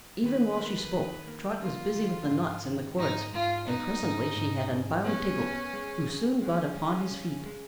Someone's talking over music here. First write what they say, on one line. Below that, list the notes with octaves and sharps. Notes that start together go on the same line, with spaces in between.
Even while she spoke Trot was busy with the knots in the cords, and presently she had unbound Tiggle, who soon got upon his feet.
D#3 B4
A#3
D#3
A#3
A#3 F4
D#3
G#2
D#3
G#2 D#4
G#2 F4
B3 D#4
G#2
G#2
G#2
B3 C#4
B3
G#3
C#3
G#3 C#4
G#3
C#3
G#3